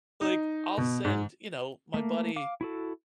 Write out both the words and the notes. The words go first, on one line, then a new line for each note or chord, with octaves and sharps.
like, I'll send you know, my buddy,
D#4
B2
G#2
A3 A#3
F5 D6
E4 F#4 A4